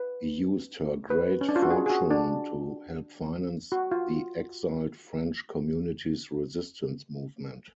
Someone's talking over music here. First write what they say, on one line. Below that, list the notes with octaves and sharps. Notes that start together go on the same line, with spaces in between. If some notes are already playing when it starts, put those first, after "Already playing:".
He used her great fortune to help finance the exiled French community's resistance movement.
Already playing: B4
B4
C#4
D4
F4
F#4
G#4
G#4
F#4
D4
F#4
F4